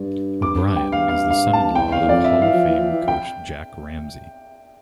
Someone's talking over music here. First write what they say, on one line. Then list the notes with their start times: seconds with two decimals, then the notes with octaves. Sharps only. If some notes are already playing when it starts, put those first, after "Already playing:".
O'Brien is the son-in-law of Hall of Fame coach Jack Ramsay.
Already playing: G2
0.42 D6
0.76 G5
0.92 F5
1.09 F5
1.30 F5
1.53 A5
1.71 F2
1.75 E2 G5
1.92 F5
2.01 E2
2.09 F2 D5
2.25 E5
2.42 E3 F5
2.54 F3
2.66 E3
2.78 F3
2.90 E3
3.02 F3
3.08 G5